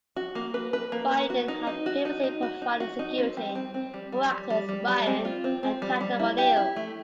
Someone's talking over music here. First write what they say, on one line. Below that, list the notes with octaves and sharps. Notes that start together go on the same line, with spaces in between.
Bindon had previously provided security for actors Ryan and Tatum O'Neal.
F#4
A#3
B4
B4
A#3
B4
F#4
D#4
D#4
F#4
D#4
D#4
F#4
D#4
F#4
D#4
C4
G3
C4
C4
G3
G3
G3
G3
G3
G3
C4
F4
C4
C4
G3
G3
E4
G4
E4
A3